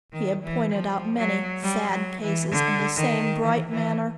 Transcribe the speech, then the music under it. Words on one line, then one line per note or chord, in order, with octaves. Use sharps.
He had pointed out many "sad cases" in the same bright manner.
D#3
E3
F3
F#3
G3
F#3
E3
D3
D#3
E3
E3